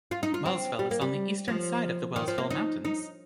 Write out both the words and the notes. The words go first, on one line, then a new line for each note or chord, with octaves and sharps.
Wellsville is on the Eastern side of the Wellsville Mountains.
F4
D#4
F4
C4
G3
A#3
G3
F3
D#3
F3
A#3
D#4
D#4